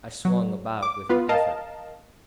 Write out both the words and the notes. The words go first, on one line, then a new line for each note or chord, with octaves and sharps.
I swung about with an effort.
F#3
D6
B3 F4 B4
A#4 D#5 F5 A5